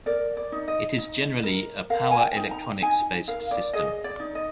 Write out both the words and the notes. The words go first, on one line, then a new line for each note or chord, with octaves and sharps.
It is generally a power electronics-based system.
A#4 D5
D5
D#4
D#5
D#4
A#4
A#4 F5
G#5
G5
D#4
A#5
D#4 G#5
A#4 F5
D5
G#4 D#5
D5
D#4
D#5